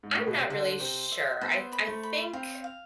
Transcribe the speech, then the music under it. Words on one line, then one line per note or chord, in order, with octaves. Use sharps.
I'm not really sure. I th I think,
G#2
A2
B2
C3
D3 C5
C3 C5
E5
B3 C5
B5
A3
B5
C4 F5
F5